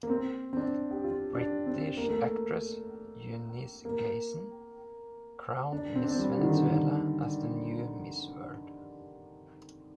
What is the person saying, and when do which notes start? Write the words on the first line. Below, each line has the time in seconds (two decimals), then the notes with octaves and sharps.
British actress Eunice Gayson crowned Miss Venezuela as the new Miss World.
0.03 A#3
0.10 C4
0.53 C4
0.57 D4
0.91 G4
1.04 F4
1.35 D4
1.66 C4
1.97 A#3
2.09 A3
2.19 A#3
3.85 A#3
5.72 D4
5.96 C4
6.04 D4
6.12 C4
6.19 G3
6.39 D3
6.43 D#3
6.57 D3
6.67 D#3